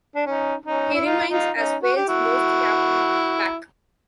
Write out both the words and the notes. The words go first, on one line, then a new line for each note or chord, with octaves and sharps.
He remains as Wales most capped back.
D4
C#4 D#4
C#4 D#4
E4
D#4 F4
D#4 F4
C#4 D#4
F#4
G4
E4 F#4